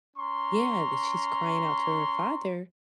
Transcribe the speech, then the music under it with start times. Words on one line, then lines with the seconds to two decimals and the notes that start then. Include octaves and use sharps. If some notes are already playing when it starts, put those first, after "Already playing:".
yeah, that she's crying out to her father
0.16 C#4 A#5 C6 C#6